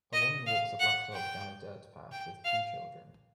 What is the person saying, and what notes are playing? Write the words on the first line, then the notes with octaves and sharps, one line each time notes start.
A woman walks a black dog down a dirt path with two children.
D#5
F5
F#5
G5
G5
F5